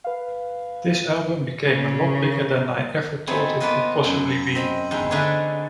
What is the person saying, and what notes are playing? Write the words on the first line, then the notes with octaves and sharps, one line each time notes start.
This album became a lot bigger than I ever thought it could possibly be.
B4 F5
C#3
A3 B3 C4 D#4 G#4
A#3 B3 F4 A#4 B4 D#5
F#2
C4 D#5 B5
E2 G2 D#4 G5
D3 A3 D#4 G#4 B4